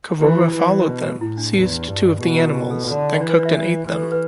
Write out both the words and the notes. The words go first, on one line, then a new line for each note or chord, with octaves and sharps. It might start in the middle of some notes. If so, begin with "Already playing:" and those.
Karora followed them, seized two of the animals, then cooked and ate them.
E3 G4
E4
E3
B2
A2 E4
D4
E2
G2
B2 G4
E4
G4
A4
D3 A4
E3 D5
B4
D5
E5
D5
E3 B4
A4
G4
B4